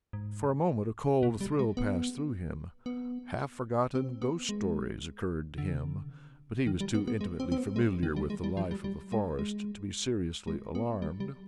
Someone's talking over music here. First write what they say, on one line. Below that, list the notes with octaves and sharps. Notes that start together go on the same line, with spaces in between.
For a moment a cold thrill passed through him; half-forgotten ghost-stories occurred to him, but he was too intimately familiar with the life of the forest to be seriously alarmed.
G#2
B2
G3
G#3
B3
B3
C4
B3
G#3
D3
C3
D3
D#3
G3
B3
B3
G#3
C4
C4
B3
G#3
D#3
G3
G#3
G3
F3
G3
G3
G#3
G#3
G#3
B3
G3
G3